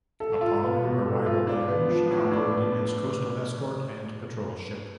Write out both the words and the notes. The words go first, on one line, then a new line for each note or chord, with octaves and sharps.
Upon her arrival there she operated as coastal escort and patrol ship.
A4
F4
B3
B2
A4
F4
D4
B3
F3
A2
D4
B3